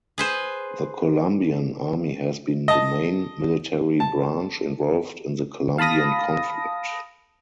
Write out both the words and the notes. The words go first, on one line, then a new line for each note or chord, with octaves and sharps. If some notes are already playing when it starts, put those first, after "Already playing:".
The Colombian Army has been the main military branch involved in the Colombian conflict.
G#4 B4 C5
D#5 A5
A5
F5 A5 B5 D#6 A#6